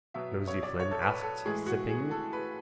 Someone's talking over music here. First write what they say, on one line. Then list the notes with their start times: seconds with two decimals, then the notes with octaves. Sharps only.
Nosey Flynn asked, sipping.
0.14 B2 F#3 B3 E5
0.48 C#5
0.63 D5
0.80 C#5
0.91 A4
1.02 B4
1.23 A4
1.45 A2 E3 G#3 G#4
1.66 F#4
1.89 G#4
2.11 A4
2.33 B4